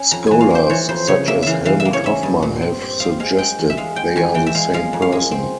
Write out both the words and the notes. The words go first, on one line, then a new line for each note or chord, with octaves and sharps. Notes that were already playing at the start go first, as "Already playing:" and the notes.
Scholars such as Helmut Hoffman have suggested they are the same person.
Already playing: C#4
F2 A#5
E3 G#5
F5
A#3 C5
E3 C#5
F2 C5
C#3 C#5
A#3 E5
E3 E5 F5
E3 F5
E5
A#3
C#5
C#4 E5
G2
A#2
C4
C4
C4 F5
G#3 F5
G#3 G5
E2
E5
G#3 F5
G#3 G5
E2 G#5
E3 G5
E5
G#3 F5
G#3 F5
F2
F5
G#3
C4